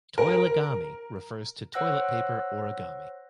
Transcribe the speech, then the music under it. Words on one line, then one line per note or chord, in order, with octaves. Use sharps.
"Toilegami" refers to toilet paper origami.
A#4
C5 C#5 F#5 E6 F#6 A#6